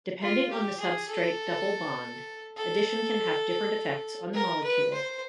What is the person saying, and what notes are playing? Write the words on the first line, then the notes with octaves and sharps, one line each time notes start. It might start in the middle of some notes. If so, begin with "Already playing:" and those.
Depending on the substrate double bond, addition can have different effects on the molecule.
F4
G4
G#4
A4
A4
A#4
B4
C5